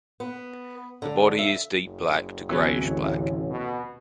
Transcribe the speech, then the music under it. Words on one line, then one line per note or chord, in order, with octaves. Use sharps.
The body is deep black to greyish black.
B3
D3
E5
F#1
D2 C3 E3 F#3 B3 C#4
A1
B2